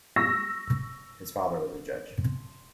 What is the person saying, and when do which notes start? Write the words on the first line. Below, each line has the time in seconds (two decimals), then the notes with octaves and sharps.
His father was a judge.
0.16 C#6 E6 A#6